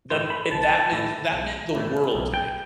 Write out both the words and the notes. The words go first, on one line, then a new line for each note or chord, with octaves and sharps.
That it that meant that meant the world to me.
A2 E3 A3 E4 C5
B5
B1 A5
A2 E3 A3 E4
B1
A2 E3 A3 E4
B1
G5